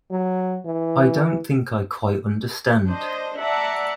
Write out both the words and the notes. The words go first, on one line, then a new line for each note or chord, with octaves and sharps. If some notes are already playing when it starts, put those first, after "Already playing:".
I don't think I quite understand.
F#3
E3
D4 C5 D#5
D5 E5 F#5 A5 A#5